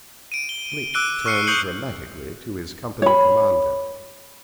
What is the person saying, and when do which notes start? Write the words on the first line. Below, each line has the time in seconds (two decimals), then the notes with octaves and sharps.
Blake turned dramatically to his company commander.
0.32 D7 D#7
0.49 G7
0.94 D6 E6 F#6 D7 D#7 G7
1.26 C#6 F6 C7 C#7
1.47 C#6 D#6 G6 C7 C#7 F#7
3.02 C#5 B5